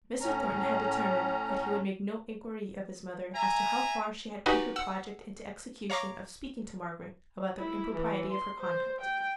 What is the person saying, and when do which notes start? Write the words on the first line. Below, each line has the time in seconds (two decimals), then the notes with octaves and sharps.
Mr. Thornton had determined that he would make no inquiry of his mother as to how far she had put her project into execution of speaking to Margaret about the impropriety of her conduct.
0.21 A2 C#4 A#5
3.35 E5 G#5 A#5
4.46 D#4 F#4 G4 B4 F#5 G#5
4.76 F#5 E6
5.90 C#5 F5 A#5 C#6 D6 A#6
7.58 E4
7.96 E3
8.32 C6
8.61 C5
9.01 G5